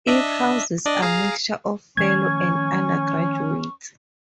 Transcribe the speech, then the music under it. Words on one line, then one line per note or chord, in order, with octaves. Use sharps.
It houses a mixture of fellows and undergraduates.
D4 D#5 E5
D4 D5 D#5
G#4 F5 A#5
D#3 F3 A3 C#4 C#6 G#6